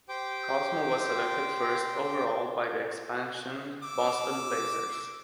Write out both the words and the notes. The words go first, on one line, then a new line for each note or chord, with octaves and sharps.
Cosmo was selected first overall by the expansion Boston Blazers.
G4 C5 G5 D6
D6 E6